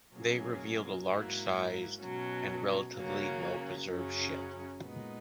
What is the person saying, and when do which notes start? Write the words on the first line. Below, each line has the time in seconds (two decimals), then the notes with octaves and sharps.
They revealed a large-sized and relatively well-preserved ship.
0.13 B2 F#3 A#3 C#4 G#4
1.06 G#2 F#3 A#3 E4
2.00 B2 F#3 C#4
2.94 C#3 F#3 A#3 C#4
3.88 F#2 C#3 F#3 C#4
4.81 A#2 G#3 B3 D#4